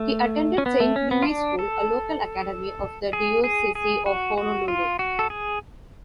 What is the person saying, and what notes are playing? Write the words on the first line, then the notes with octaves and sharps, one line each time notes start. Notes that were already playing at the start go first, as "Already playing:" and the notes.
He attended Saint Louis School, a local academy of the Diocese of Honolulu.
Already playing: A3
C#4
B3
A3
C#4
B3
F4
D4
A4
G#4
G#4
G#4
F#4
F#4
F4
F#4
A4
G#4